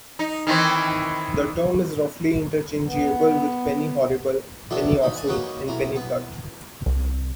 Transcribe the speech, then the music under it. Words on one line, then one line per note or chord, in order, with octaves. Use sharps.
The term is roughly interchangeable with penny horrible, penny awful, and penny blood.
D#4
D#3 E3 C4
B3
F#3 B3 D4 E4 A4
C#3 D#4 B5
F#5 G#5 A5
A#3 C#4 D#4 F#4 A#4 B4
B1 E4 A#5
B3
C2